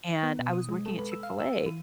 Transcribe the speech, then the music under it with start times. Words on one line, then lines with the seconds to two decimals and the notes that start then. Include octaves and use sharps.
and I was working at Chick-fil-A,
0.23 B3
0.39 B2
0.53 D#6
0.69 G#3
0.86 A4
0.99 B4
1.12 E6
1.23 F5
1.40 E6
1.53 D#7
1.66 E3